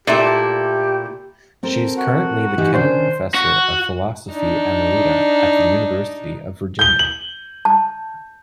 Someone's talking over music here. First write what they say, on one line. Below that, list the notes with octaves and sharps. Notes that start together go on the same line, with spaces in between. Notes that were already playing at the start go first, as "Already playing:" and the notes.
She is currently the Kenan Professor of Philosophy Emerita at the University of Virginia.
A#2 A3 E4 G4
C4 A4 A#4
F#4
E3 D#4 G4
D#3 C#4 D4 C5
F#4
D4 D#4
G6 G7
F#7
A5